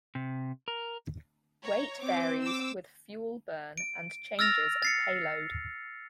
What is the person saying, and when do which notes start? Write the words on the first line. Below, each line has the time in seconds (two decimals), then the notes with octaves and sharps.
Weight varies with fuel burn and changes of payload.
0.15 C3
0.68 A#4
1.62 C#5 A#5
2.02 C4 D6
2.42 D6 E6
3.78 D7
4.39 E6 F6 A6 A#6 F7
4.82 A6 C7 C#7